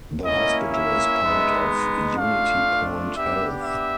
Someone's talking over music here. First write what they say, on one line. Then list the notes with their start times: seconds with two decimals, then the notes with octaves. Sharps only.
The hospital is part of UnityPoint Health.
0.24 A#3 C#4 E4 D#5
0.72 E5
1.21 G#3 B3 D#4
2.17 A3 D4 F4 F5
3.14 B3 D4 G4 E5
3.63 E5